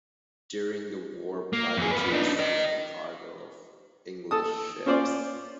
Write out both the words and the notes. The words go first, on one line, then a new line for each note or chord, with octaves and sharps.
During the war, privateers seized the cargo of English ships.
A#3
F2 G#4
A#3 B4
D4 D#4
A#4 D#5
A4 A5 D#6
C#4 F4 C5 D5